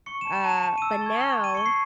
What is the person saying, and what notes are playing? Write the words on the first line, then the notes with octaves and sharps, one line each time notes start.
Uh, but now
C#6 C#7
A5 E7
E7
A5
E7
A5 E7
E6 D#7
A6
C#6 G#6
C#6
C#6
D#7
C#6 C#7
C7